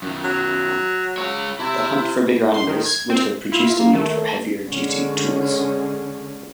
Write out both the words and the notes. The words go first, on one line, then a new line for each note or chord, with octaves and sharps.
The hunt for bigger animals would have produced a need for heavier-duty tools.
F#2 D#3
F#3
G#3 C#5
C3 E4
C6
D#3
G#6
C4
E4 F4
A#3
D#3 A3
D3 G#3 C#4